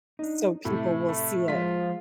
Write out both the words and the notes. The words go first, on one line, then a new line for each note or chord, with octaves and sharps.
so people will see it.
D4 D#4
A2 C3 A3
A3
F3 G#3 F4 B6